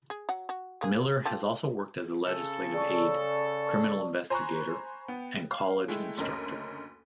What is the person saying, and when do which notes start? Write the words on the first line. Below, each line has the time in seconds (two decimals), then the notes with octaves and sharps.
Miller has also worked as a legislative aide, criminal investigator, and college instructor.
0.10 G#4
0.29 F#3 F#5
0.49 F#4
0.81 G#3 A#3 G#4
1.25 F4 G4 A4
2.26 C#3 A4
2.74 D5 A5 C#6
4.30 C5 G#5 A#5 B5 C#6 F#6
5.08 B3 G5
5.51 F5
5.88 G#3 A3 E4 G5
6.18 F#1 D2 C#4 A#4 D#5